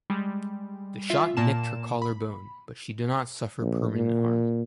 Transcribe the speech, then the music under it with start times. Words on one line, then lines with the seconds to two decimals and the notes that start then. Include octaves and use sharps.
The shot nicked her collar bone but she did not suffer permanent harm.
0.10 G3 G#3
1.10 F4 E5
1.37 A#2 A#3 A5 E7
2.02 B5
3.61 A#1
3.94 A#2